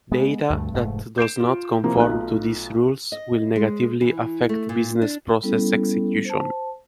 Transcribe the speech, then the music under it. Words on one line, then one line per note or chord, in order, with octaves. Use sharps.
Data that does not conform to these rules will negatively affect business process execution.
G#3 B3
D2 G2 A3
F1 G#2 A3
G6 C7 D7 E7
F4
C3 F3 A#3 E4 C5
B1 B2 A3 D#4 F4 F#6
D#5
G#3
E3
A3
A#2
D4
G3 B3 C#4 E4 A4
C5 A5